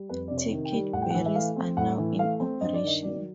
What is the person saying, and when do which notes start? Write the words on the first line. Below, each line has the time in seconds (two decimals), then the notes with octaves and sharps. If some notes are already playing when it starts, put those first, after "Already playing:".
Ticket barriers are now in operation.
Already playing: G3
0.09 F2 B4
0.28 C3 D5
0.37 C#5
0.52 D#3
0.65 G5
0.72 G3
0.93 A2 F#5
1.02 G5
1.10 F#5
1.14 E3
1.26 E5
1.35 A3 F5
1.56 C4
1.77 A2 F#5
1.98 E3
2.19 A3 F5
2.40 C4
2.61 G2 D#5
2.74 D5
2.82 D#3
2.87 D#5
3.03 F#3 D5